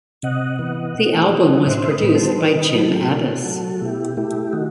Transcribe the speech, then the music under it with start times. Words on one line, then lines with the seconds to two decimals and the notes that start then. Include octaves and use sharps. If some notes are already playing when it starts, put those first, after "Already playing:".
The album was produced by Jim Abbiss.
0.23 C3 D#5 F#5
0.59 E3 B3
0.95 B2
1.31 F#3 B3
1.66 A2 C5 E5
1.90 B4 D#5
2.02 G3 B3
2.09 D#5
2.15 A4 C5
2.38 D#3 B4 D#5
2.74 F#3 A3 B4
2.84 A4
2.94 G4
3.04 F#4 A4
3.10 B2
3.45 F#3 A3
3.81 B2 E4 G4
4.17 A3 E4 G4
4.53 D#3 D#4 F#4